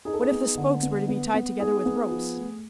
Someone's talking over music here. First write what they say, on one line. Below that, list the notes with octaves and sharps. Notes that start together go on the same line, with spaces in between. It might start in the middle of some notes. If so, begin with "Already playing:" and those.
"What if the spokes were to be tied together with ropes?"
D#4 G#4
A4
G#4
B3
D3
B3
B3
B3
D#4 G#4
B3
F3
A3